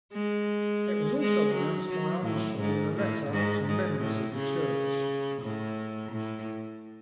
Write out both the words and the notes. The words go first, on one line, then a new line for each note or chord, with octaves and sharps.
It was also announced by Armstrong in a letter to members of the church.
G#3
G#3
F#3
F#3
A2
G#2
A2
G#2
G#2
A2
C#3
A2
A2